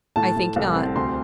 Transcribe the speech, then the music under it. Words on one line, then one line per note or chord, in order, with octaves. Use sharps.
"I think not."
A2 A5
A2
C2
C4
D2 C6